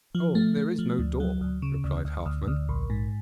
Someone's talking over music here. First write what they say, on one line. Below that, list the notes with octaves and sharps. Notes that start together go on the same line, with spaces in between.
'Oh, there is no door,' replied Halfman.
F3
A3
A3
F3
D2
F#3
D2
C#3
D2
D2
D2
D2
A#1
G#2